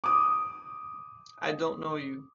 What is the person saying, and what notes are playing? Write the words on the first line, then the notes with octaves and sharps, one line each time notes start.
I don't know you!
D6 D#6